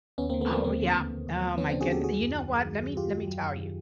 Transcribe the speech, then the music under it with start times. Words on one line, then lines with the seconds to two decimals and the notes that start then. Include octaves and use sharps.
Oh, yeah. Oh my goodne You know what? Let me let me tell you.
0.18 D#2 B3 C#4
0.30 A#3 C4
0.34 D3
0.41 A3 B3
0.49 F3 A#3 C4
0.64 D#2 A#3 C4
0.80 D3
0.95 D#2
1.11 D#2
1.27 D#2
1.42 F3
1.58 F3 B3 C#4
1.69 C4 D4
1.73 D3
1.81 F#4 G#4
1.88 D#2 G4 A4
2.04 D#3 F#4 G#4
2.20 F#2
2.35 D#3
2.50 F#2
2.66 D#3
2.82 F#2
2.97 F#2 F4 G4
3.12 F#2
3.28 F#3
3.43 F#2
3.58 D#3